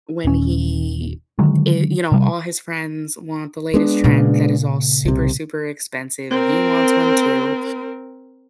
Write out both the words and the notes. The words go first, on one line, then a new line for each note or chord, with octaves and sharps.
when he, uh, i you know, all his friends want the latest trend that is all super, super expensive, and he wants one too,
D#1 C#4
D3 D#3 F#3 G#3
C3 G3
G#3 B3 D4
A#2 C#3
C2 C3
C4 A#4